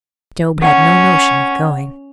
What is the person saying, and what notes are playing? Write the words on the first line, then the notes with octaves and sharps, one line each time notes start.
But Job had no notion of going.
C#4 F#5